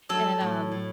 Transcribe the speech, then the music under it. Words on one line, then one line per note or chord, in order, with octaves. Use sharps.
and, um,
F#3 A4
A2
A2